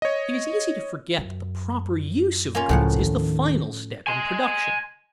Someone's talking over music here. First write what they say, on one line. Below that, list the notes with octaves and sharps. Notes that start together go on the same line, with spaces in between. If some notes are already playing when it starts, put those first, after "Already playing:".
It is easy to forget that the proper use of goods is the final step in production.
C#5 D#5
F#2
A#3 C#4 F4
C#2 A2 F3 F#5
D#2 D#3
G#5 C6